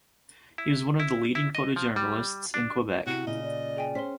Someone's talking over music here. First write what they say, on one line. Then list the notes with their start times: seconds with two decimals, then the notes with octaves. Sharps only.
He was one of the leading photojournalists in Quebec.
0.58 E4
0.99 E4
1.35 E4
1.55 D#5
1.76 F3
1.96 G3
2.54 D4
3.06 C3 E4 F#4
3.27 A#2 C#3 D#5
3.44 D5
3.77 G#4 G5 G#5
3.95 C#4 C5 B6 G7